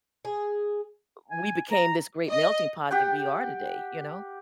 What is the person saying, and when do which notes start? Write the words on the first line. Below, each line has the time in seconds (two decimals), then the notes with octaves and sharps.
we became this great melting pot that we are today, you know?
0.25 G#4
1.30 G#5
1.71 A#5
2.29 D#5
2.91 G4 F#5 G5